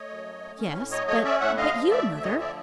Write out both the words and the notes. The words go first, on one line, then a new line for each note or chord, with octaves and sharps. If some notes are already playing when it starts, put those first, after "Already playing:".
"Yes--but--but you, Mother?"
Already playing: A3 C#5 D#5
F#2
F#3
A3
C#4
A2
F#3 C#5 D#5
A3 C#5 D#5
C#4 D5 E5
A2 E5 F#5
D3 D#5 F5
F3
A3 D5 E5
D2
E5
D3 C#5 D#5
F3 D5 E5